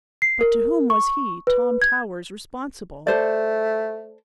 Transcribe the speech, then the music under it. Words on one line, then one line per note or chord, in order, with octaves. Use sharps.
But to whom was he, Tom Towers, responsible?
C7
A#4
C#6
B4
G#6
A3 A4 C5 D5